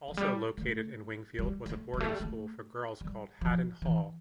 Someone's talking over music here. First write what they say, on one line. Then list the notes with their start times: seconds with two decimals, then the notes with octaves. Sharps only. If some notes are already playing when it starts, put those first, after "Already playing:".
Also located in Wingfield was a boarding school for girls called Haddon Hall.
0.08 F3
0.17 G3
0.58 A3
1.39 G3
1.66 A3
1.94 G3
2.00 A3
2.09 G3
2.20 A3
3.01 G3
3.41 F3
3.82 E3